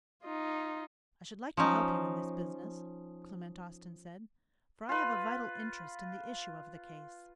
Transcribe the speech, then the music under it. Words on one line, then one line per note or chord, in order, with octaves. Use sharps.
"I should like to help you in this business," Clement Austin said, "for I have a vital interest in the issue of the case."
D#4 F4
F3 C#4 D#4
F4 B4